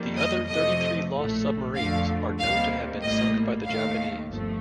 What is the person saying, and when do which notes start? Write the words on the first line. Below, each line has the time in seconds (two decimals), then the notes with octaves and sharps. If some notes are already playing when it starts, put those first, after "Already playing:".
The other thirty-three lost submarines are known to have been sunk by the Japanese.
Already playing: F2 D#3 G3 A#3
0.17 D#5
0.49 F2 C3 F3 A3 D#5
1.12 A#1 A2 A3
1.75 F2 D3 A3 F5
2.39 D2 C3 D#3 G3 A#3 F5
3.02 A1 A2 G3 A#3 D#5
3.65 D#2 D#3 A3 F5
4.28 G1 G2 F3 A3